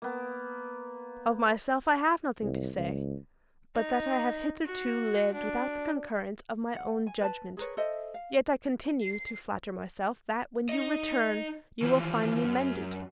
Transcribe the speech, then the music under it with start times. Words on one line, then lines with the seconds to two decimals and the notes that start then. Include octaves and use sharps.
Of myself I have nothing to say, but that I have hitherto lived without the concurrence of my own judgment; yet I continue to flatter myself, that, when you return, you will find me mended.
0.02 A#3 B3
2.42 C2
2.76 C#2
3.75 D#4
4.65 F#4
5.34 D4
6.74 F#5
7.07 G#5
7.20 B4 A5
7.57 G#4 A#4 B4 C#5
7.77 A4 C5 D#5 E5
8.14 F5
9.04 C7
10.69 D#4 D#5
11.82 E3 F3
12.44 F#2